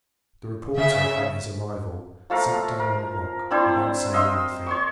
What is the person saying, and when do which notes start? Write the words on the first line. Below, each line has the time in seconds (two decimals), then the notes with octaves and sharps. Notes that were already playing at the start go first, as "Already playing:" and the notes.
The reporter, on his arrival, sat down on a rock, without saying anything.
0.77 C#3 E5
2.30 F3 A3 F5 A#5
2.79 A#4
3.51 C4 D4 E4 C5
4.13 D#5 F5 C6 E6
4.66 C#5 C6 C#6